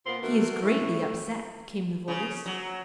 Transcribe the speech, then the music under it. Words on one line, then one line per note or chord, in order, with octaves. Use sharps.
"He's greatly upset," came the voice.
A#2 B3 F4 A#4 C5
D3 A3 B3 F#4 A#4
A2 E3 A3
C#3
F#3